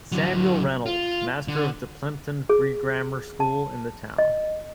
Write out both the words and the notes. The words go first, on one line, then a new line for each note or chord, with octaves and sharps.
Samuel Reynolds, master of the Plympton Free Grammar School in the town.
D3 F#3
F4
D3
G#4
A5
D#5